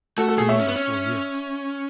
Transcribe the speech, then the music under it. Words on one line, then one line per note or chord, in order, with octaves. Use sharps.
"For nearly four years."
A3 F#4 A4
F#4 A4
A3 G#4
C#5 E5
C#4
B3
C#4